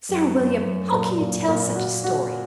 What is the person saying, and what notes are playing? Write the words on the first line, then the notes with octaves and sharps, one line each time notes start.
Sir William, how can you tell such a story?
F#2
F#2
F#2
A#2
A#2
A#2
F#4
F#4